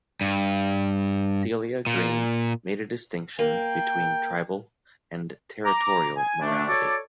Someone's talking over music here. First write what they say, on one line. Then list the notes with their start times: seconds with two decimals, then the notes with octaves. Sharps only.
Celia Green made a distinction between tribal and territorial morality.
0.21 G2
1.87 A#2
3.39 A#3 G5
5.65 A#5 D6
6.17 G#5
6.42 A3 D4
6.68 F#4 A4 C#5 D5 A5 D6